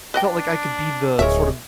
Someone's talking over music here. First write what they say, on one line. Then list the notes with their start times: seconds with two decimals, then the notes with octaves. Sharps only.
felt like I could be the, sort of,
0.14 D4 B4 D#5 G5
1.19 D1 G#3 A#4 C#5 E5